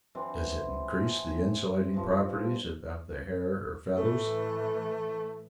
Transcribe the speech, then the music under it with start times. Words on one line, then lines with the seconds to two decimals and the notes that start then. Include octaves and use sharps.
Does it increase the insulating properties of the hair or feathers?
0.15 E3 F#3 C4 D4
0.87 G#4
1.94 G2 F3
3.95 A2 E3 A3